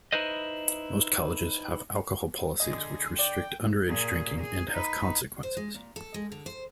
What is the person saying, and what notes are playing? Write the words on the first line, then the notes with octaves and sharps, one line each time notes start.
Most colleges have alcohol policies which restrict underage drinking and have consequences.
D#4 E4 B4 C5 D#5
D3 G#4 D#5
D5 G5
A#2 G#4
G#4
D#4 B4
C5
G#3
A#2
A4
G#3
D3
C5